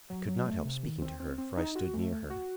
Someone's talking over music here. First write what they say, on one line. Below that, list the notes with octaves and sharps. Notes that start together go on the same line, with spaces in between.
I could not help speaking to her, for I stood near her.
F#3
F#3
A3
C3
D#3
C4
C4
C4
D#4
F#4
A3
A3
F#4